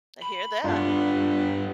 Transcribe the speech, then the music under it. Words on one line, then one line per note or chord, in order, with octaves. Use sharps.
I hear that.
B5
G2 B3 D4 F4